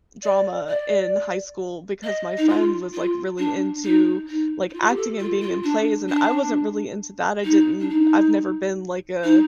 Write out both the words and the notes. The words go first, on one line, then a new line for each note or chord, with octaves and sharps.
drama in high school because my friend was, like, really into, like, acting and being in plays and I wasn't really into that, I didn't I've never been like a,
D5
D5
D#5
D#4
F4
F4
D4
D#4
D#4
D#4
F4
G4
A4
F4
F4
D4
D4
D#4
D4
D#4
D#4